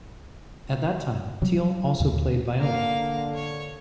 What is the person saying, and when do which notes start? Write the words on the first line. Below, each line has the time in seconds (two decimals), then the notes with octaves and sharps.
At that time Thiel also played viola.
1.42 C3 F#3 G3
2.00 D#2 A#2 D3 E3
2.58 D3 A#3 F5
3.35 C#5